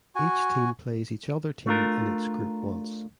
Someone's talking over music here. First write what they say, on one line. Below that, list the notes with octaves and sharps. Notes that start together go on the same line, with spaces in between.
Each team plays each other team in its group once.
F#4 G#5
A3 D4 F4 A#4